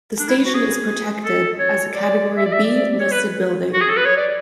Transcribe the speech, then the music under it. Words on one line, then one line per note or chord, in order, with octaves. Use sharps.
The station is protected as a category B listed building.
D4
E4
F#4
G#4
A4
C#5
D5
E5
D5
E5
D5
C#5
B4
F#4
G#4
A4
B4
C#5
D5